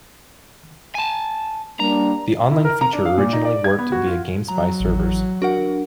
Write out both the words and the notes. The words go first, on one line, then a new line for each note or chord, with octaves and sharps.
The online feature originally worked via GameSpy servers.
G#5 A5
G3 A#3 D4 A#5
E4
A#4
A#5
D4
F5
A#2
D#4
D5
G#6
B3
F#4
F4
F#3 A#5
A1 E3
D4 F#4 A#4 F#5